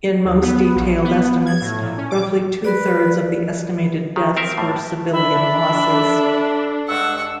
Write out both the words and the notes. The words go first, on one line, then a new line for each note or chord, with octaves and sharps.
In most detailed estimates roughly two-thirds of the estimated deaths were civilian losses.
D#2
B3
A#1
B3
G#6
A2
A#2
C#4
D6
A#4 B4 D5
D#3
C4 A#4 E5
A2 G3
D4 E5 B5
A4
G2 G#3 F#5 C#6 E6